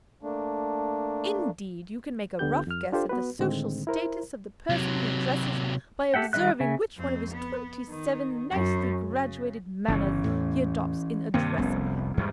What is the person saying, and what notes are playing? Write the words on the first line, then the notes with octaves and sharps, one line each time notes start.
Indeed, you can make a rough guess at the social status of the person he addresses by observing which one of his twenty-seven nicely graduated manners he adopts in addressing him.
A3 A#3 D4
D2 D3 B3 G4 G6
F2 F6
D4 F4 G4 A4 C5
B3 F#4 B4
A2 D3 D#3 G#3 C4
E4 A#4 C5
C3 F#3
G4 A4 E5 F#5 G5
D#3 G3 D#5 E5 F#6
C#3 E5 G#5
F2 C4
B3
D#3
F#2
C#3
G1 C#3 E3 C4 C#4
E2 A2
G2 C3 D#3 A#3 C4
F1 C2 B3 C#4
E2 G#2 G3